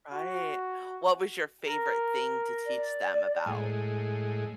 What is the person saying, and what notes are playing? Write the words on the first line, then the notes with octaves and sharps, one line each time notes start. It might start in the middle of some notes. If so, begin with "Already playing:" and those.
Right. What was your favorite thing to teach them about,
F#4
A#4
D5
A2 G#3